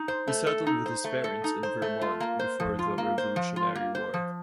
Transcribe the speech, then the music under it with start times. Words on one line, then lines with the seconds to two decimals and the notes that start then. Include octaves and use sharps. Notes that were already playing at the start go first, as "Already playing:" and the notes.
He settled with his parents in Vermont before the Revolutionary War.
Already playing: D#4
0.08 C5
0.28 A3
0.47 A4
0.67 D#4
0.86 C5
1.04 A3
1.24 A4
1.44 D#4
1.63 C5
1.82 A3
2.01 F4
2.20 A#3
2.39 C5
2.60 F3
2.79 F4
2.98 A#3
3.18 C5
3.36 F3
3.56 F4
3.75 A#3
3.95 C5
4.14 F3